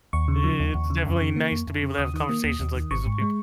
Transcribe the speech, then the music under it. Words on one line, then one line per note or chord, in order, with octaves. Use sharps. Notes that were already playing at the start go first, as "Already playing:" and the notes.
I i it's definitely nice to be able to have conversations like these with people.
D#2 C#6
C#3
F3
D#2
D#2
C#3
F2
C#3
A#3
F2
F2
C#3
D#2 D#6
D#3
A#3
D#2
D#2
D#3
G#1 C#6
G#2
G#3